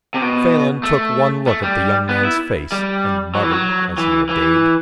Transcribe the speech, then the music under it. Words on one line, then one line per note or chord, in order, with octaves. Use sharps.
Phelan took one look at the young man's face and muttered as he obeyed.
C3
B2
A3
A3
G3
B3
E4
G3
F#3
E3
F#3
E3
E3